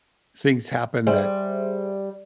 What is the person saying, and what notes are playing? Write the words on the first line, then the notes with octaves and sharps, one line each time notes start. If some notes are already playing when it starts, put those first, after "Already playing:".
things happen that
G3 G#4 C5 E5